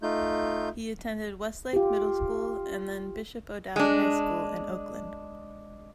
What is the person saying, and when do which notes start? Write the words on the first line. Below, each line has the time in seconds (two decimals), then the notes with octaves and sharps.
He attended Westlake Middle School and then Bishop O'Dowd High School in Oakland.
0.02 A3 D#4 F4 G6
1.73 F4 G4
3.76 G#3 D4